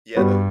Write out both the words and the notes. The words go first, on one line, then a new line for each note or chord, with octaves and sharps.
Yeah, the
G2 G3 B3 F#4